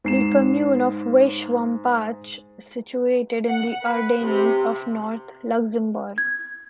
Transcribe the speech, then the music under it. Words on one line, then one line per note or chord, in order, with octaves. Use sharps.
The commune of Weiswampach is situated in the Ardennes of north Luxembourg.
G#2 C7 E7
F#5
B4
C3
G#6